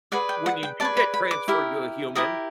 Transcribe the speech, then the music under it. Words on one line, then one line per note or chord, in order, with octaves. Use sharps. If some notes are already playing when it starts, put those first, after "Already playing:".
when you do get transferred to a human
G#4 B4 D5 F#5
G5
F#5
G5
G#4 B4 D5 A5
B5
B5
D6
E4 G4 A#4
E4 G4 A#4 D#6